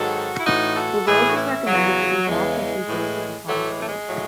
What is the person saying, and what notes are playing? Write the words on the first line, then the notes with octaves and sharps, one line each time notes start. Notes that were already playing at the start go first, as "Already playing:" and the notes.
The rose is recommended to be half to two-thirds of the flag's width.
Already playing: G#2 D#3 F#3 F#4 A4
E4
A2 E3 D#4 F#4
F#4 A4
A2 E3 E4 G#4
F#4
C#4 E4
E2 C#3 E3 F#3
E2 C#3 E3 G#3
A2 E3
A2 E3 F#3 A3
F#3
G#3
A3
G#3
A2 F#3